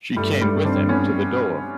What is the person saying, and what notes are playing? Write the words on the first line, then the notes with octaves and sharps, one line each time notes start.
She came with him to the door.
G2 G3 A3
G3 A3
C4 D4
B3 C#4